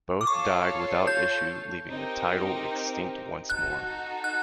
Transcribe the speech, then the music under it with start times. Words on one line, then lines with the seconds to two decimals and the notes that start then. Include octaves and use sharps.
Both died without issue, leaving the title extinct once more.
0.21 D6
0.27 F4 A4 C#5 F5 A5 C#6
1.07 G6
1.88 C4 D#4 G4 A#4
3.50 D#4 F#4 A4 F#6
4.24 F#6